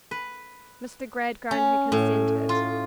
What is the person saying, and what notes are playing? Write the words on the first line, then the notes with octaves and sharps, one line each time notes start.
Mr. Gradgrind had consented.
B4
C#4
A2
F4